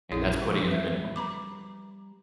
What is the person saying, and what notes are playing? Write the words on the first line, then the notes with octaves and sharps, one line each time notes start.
And that's putting in the minimum.
A#1 E4 G#4 C#5
F3 G3
B4 E5
A#5 B5 D6